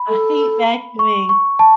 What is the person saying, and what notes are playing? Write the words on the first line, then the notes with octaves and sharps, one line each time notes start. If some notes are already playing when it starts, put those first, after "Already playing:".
I hate vacuuming.
Already playing: B5
A4
C#6
C#6
A5